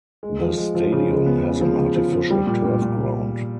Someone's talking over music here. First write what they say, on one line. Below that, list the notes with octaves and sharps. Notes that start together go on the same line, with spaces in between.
The stadium has an artificial turf ground.
G#3
F3
G#3
F3
C#3
G#3
B3
C#3
F3
C#3
F3
F3
G3
A#2
A#2
A#2